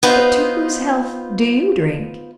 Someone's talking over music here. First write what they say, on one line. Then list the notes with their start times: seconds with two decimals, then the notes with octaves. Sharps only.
But to whose health do you drink?'
0.03 B3 D#4 F4 C5